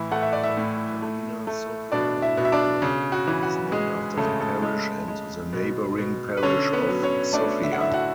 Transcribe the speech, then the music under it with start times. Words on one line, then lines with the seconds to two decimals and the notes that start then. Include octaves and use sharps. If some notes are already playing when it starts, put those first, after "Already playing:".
The Katarina-Sofia borough is named after the parish and the neighbouring parish of Sofia.
Already playing: A2 E3 E4
0.12 A3 F#5
0.22 E5
0.33 D5
0.43 E4 E5
0.57 A2
1.02 A3
1.47 A3
1.92 B2 D4 D5
2.22 E4 E5
2.37 B2
2.45 E5
2.52 D4 D5
2.82 C#3
3.12 F#4
3.28 E3
3.43 F#4
3.72 G#3 G#4
4.17 C#3 A3 A4
4.40 A3 A4
4.62 G#3
5.08 G#3
5.53 B2
5.98 B2
6.37 B4
6.43 D3 C#4 C#5
6.73 B3 B4
6.89 F#3
7.03 C#4 C#5
7.33 A3 D4 D5
7.64 E5
7.72 F#5
7.78 D3 E4 E5
7.93 F#4 F#5